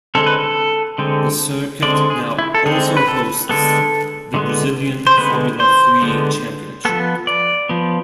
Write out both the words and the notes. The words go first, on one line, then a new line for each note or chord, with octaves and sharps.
The circuit now also hosts the Brazilian Formula Three Championship.
D3 G#3 C4 A4
B4
A4
D3 G#3 C4
D3 G#3 C4 D5
G#4
E4
A4
D3 G#3 C4 G#4
B4
A4
D3 G#3 B3 A4
D3 G#3 B3
C5
D3 G#3 B3 B4
C5
D3 G#3 B3
F3 B3 A4
D5
F3 B3